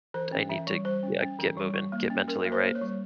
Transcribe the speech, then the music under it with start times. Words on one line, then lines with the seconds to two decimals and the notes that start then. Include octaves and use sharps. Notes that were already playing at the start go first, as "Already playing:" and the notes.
t I need to yeah, get moving, get mentally right.
0.14 E3 C5
0.32 C#4
0.49 E3 E5
0.67 G3
0.85 G3 C5
1.03 C#4
1.21 C#4
1.39 E3
1.57 G3
1.74 G3
1.92 A#3
2.10 C#4
2.28 C#4 A#4
2.45 A#3
2.52 C5
2.63 A#3
2.75 C#5
2.81 G3